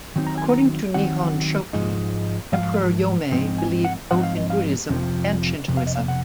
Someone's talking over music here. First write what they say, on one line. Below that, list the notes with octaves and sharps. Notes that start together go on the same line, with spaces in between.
According to Nihon Shoki, Emperor Yomei believed both in Buddhism and Shintoism.
D#3 F#3 C4 D#4
A#5
G#5
A#5
D#3 F#3 C4 D#4 F#5
G#2 F3 G#3 D#4
G#2 F3 F5
G#2 F3 C4 D#4
G#5
F#5
G#2 F3 C4 D#4 F#5
F5
D#5
F5
F2 C3 F3
F2 C3
F5
D#5
F5
F#5